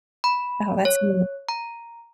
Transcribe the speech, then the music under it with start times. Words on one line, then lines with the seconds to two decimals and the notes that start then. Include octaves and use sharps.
Oh, that's neat
0.24 B5
0.85 C#5
1.49 A#5